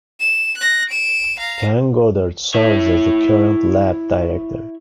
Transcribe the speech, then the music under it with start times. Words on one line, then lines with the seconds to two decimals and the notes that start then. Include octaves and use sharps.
Ken Goddard serves as the current Lab Director.
0.20 E7
0.57 F#6 A#6
0.89 D7 E7
1.39 F5 A#5
2.54 E4 C#5